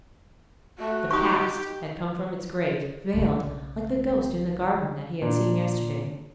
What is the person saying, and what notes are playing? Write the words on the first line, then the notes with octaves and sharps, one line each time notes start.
The Past had come from its grave, veiled, like the ghost in the garden that he had seen yesterday.
A3 F#4
D#4 G4 C#6 D#6
B1 C#3
A#2 D4